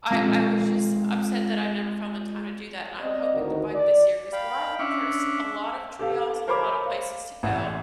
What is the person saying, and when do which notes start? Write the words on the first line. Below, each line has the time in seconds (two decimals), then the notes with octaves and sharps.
I I was just upset that I never found the time to do that, and I'm hoping to bike this year, 'cause where I live, there's a lot of trails and a lot of places to go.
0.11 G#3 C4 F4 A4
3.00 C4 D5 D#5
3.35 D2 A2 D#3 D#4 F#4 A#4
3.73 D5
4.33 F5 G5 B5
4.79 C#4 D4 E5
5.99 G4 A4 F5
6.48 A#4 C5 C#5 A#5 B5 D6
6.86 F5
7.43 A1 E5 F#5